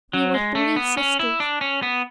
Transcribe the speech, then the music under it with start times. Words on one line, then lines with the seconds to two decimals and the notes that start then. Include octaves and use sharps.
We were three sisters.
0.13 F#3
0.34 G#3
0.55 A3
0.76 B3
0.97 C#4
1.19 E4
1.40 D4
1.61 C#4
1.82 B3